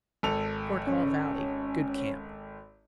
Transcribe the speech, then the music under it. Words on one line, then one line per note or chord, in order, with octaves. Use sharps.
Fort Hall Valley.--Good camp.
G#1 A4 F7
C#4